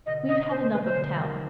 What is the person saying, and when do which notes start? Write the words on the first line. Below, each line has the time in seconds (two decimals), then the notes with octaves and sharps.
We've had enough of town.
0.06 B2 D3 D#5
0.29 D#5
0.51 C5
0.62 C5
0.73 B4
0.84 C5
0.95 B2 D3
1.17 C3 D#3